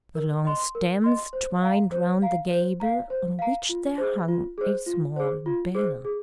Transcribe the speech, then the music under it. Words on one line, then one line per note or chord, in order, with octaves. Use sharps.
The long stems twined round the gable, on which there hung a small bell.
A#4
D#5 C6
A#4
D#5 C6
C5
F5 A#5
C5
F5 A#5
C5
F5 A#5
C5
F5 A#5
F4
G#4 C5
F4
G#4 C5
F4
G#4 C5
F4
G#4 C5
G#4